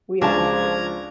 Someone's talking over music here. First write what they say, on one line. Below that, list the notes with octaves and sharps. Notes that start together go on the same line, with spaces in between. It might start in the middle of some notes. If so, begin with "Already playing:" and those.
We all need it.
C#2 F3 D4 A5 A#5 G#6